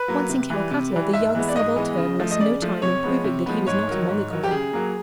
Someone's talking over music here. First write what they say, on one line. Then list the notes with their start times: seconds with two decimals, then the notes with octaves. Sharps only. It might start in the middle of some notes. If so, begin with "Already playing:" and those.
Once in Calcutta, the young subaltern lost no time in proving that he was not a mollycoddle.
Already playing: B4
0.08 F#3 A#3
0.29 C3
0.50 E3 G3
0.71 C3
0.93 E3 G3
1.13 G#2 E5
1.35 E3 G#3 B3
1.48 D5
1.56 G#2 D#5
1.76 E3 G#3 B3
1.98 C#3
2.19 F3 A3
2.31 D#5
2.40 C#3 D5
2.62 F3 A3
2.82 C3 C#5
3.04 F3 G#3 B3
3.24 C3
3.46 F3 G#3 B3
3.67 G#2 C#5
3.88 D#3 F#3
4.09 G#2
4.30 D#3 F#3
4.44 G4
4.51 C#3 G#4
4.73 F#3 A#3